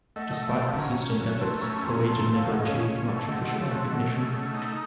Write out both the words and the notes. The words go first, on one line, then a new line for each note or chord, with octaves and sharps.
Despite persistent efforts, the Legion never achieved much official recognition.
A3 D#5 F#5
D#5 F#5
A3
F5 A5
C3
F5 A5
C#4 F#5 A#5
C#4
F#3
A3 A5 C6
C#4 A#5 C#6
F2 A5 C6
A#5
A3 A5 C6
A5 C6
F2
F5 A5
C#3 D#5 F5 F#5
D#5
C#4 C#5 F5
C#4
A3
A5
C3 D#5 F#5
D#5 F#5
A3
C#5 F5
F#3 A5 C6
A3 D#5 F#5
C#3
A3
D#4